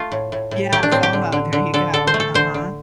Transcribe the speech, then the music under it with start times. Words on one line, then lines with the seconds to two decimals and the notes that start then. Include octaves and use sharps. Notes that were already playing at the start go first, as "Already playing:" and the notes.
Yeah, FOMO, there you go, uh-huh.
Already playing: A3 F4
0.12 A2
0.32 A2
0.51 A2
0.72 A3 G4
0.83 D4
0.91 A2 C4
1.03 G4
1.13 D3
1.32 D3
1.53 D3
1.74 D3 A4
1.93 D3 A4
2.07 C5
2.14 A3
2.20 A4
2.34 D3 C5
2.54 D3